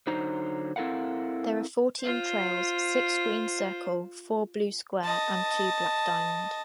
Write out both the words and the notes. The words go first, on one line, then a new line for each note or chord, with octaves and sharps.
There are fourteen trails, six Green Circle, four Blue Square, and two Black Diamond.
D3 F#3 D#4 C5 A#5
C4 E4 A4 A#4 F5 F#5
F4 C5
D#5 A5